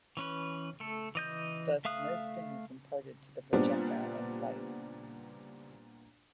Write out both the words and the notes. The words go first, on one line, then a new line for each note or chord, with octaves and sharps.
Thus, no spin is imparted to the projectile in flight.
E3 C#4 B4
A3 A4
E3 D#5 G6
A3 E5 F5 D#6 F#6
A#2 G3 B3 C4 D4